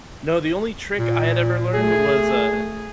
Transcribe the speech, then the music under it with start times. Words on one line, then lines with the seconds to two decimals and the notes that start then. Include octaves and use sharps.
No, the only trick I had ever learned was, uh,
0.99 A#2
1.74 A3 G#4